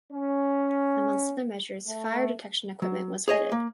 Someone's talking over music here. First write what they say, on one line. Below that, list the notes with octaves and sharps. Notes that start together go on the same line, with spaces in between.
Amongst other measures fire detection equipment was fitted.
C#4
A3
F#3
G#4 C#5 D#5 G#5
A#3